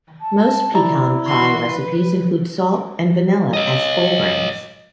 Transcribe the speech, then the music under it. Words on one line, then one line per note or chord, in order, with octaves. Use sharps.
Most pecan pie recipes include salt and vanilla as flavorings.
A5
E4 D5 A#5
E3 F#4 C6
B4
C#5 D#5